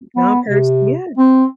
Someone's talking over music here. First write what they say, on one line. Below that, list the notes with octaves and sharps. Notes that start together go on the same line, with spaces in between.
now I'm perched, yeah.
B3
C3
C4